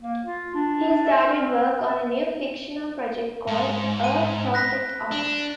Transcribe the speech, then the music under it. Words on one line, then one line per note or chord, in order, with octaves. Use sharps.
He started work on a new fictional project called "A Perfect Art".
A#3
F4
D4
E5
C#4
C4
E5
G#2
A5 D#7
F#6 A#6 B6
D4